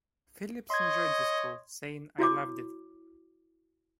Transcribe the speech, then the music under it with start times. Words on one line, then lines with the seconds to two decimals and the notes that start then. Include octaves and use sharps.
Phillips enjoyed the school, saying, I loved it.
0.70 C#5 D#5 C6 G#6
2.19 E4 F#4 C#5 D6